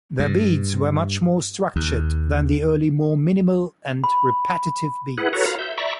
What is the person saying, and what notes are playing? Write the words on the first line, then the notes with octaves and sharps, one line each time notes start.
Their beats were much more structured than the early more minimal and repetitive beats.
G2
D#2
B5
E4 G#4 B4 F#5
F#4 A4 B4 C#5 A#5
F4 F5 A#5 B5
E5 G6
D5 E5 A#5 B5 C#6